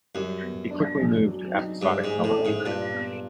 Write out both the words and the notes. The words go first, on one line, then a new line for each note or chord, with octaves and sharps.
He quickly moved to episodic television.
F#2 G3
B3
D4
G#4
F#3
D#4
G2 G#3
G#2
G#4
A2
C#4
G#2
G2 A#2
B3